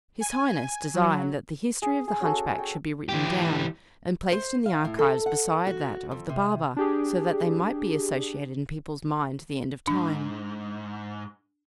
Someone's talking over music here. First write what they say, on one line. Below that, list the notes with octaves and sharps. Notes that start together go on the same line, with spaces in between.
His Highness desired that the history of the hunchback should be written down, and placed in the archives beside that of the barber, so that they might be associated in people's minds to the end of time.
G#5
F#3
G#4
G#4
C#4 F#4 G#4 A4
G5
E3 G4
C5
F5
A2
A4
F#5
F#4
F2
C3
D4 G4 G#4
G#2 D4